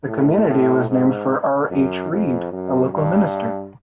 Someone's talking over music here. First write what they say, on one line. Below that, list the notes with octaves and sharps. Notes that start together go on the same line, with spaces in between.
The community was named for R. H. Reid, a local minister.
A2
A2
G#2
F#2
F2
F#2
G2